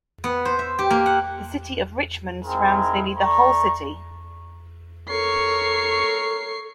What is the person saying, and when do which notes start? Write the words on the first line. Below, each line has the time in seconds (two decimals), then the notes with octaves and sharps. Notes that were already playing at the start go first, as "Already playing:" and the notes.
The city of Richmond surrounds nearly the whole city.
0.24 B3
0.45 C5
0.59 E5
0.79 G4
0.90 A#3
1.06 F#5
2.44 C4 D#4 E4 G#4 A#4 C6
3.17 A3 D5 A#5 C#6
5.09 A4 A#4 C#5 C#6 C7